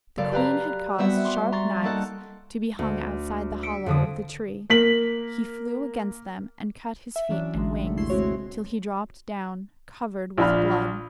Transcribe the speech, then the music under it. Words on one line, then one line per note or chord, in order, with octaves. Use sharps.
The queen had caused sharp knives to be hung outside the hollow of the tree: he flew against them and cut his feet and wings, till he dropped down, covered with blood.
F#1 A4 D5 F5
G4 B4 F5 A#5
G3 B3 C4 F#4 E5 F#5
C6 D6
A#5 C6 C#6 A6
A#3 D#4 A4 F#5
D2
E6 B6 C#7 D7
F2 D3 D#6
A#3 B6 F#7
E5
E3 F#3 C#4 D4
A1 D3 F#3 G#3
C3 A3
D#2 A3 E4 C6
G#3 C4 E4 F#4 C#5
A#1 D4 F4 B5 F6